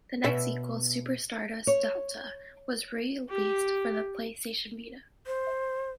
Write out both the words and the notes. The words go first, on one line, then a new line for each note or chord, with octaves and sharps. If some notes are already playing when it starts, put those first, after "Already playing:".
The next sequel, "Super Stardust Delta", was released for the PlayStation Vita.
B2 E5
C#5
G4
C5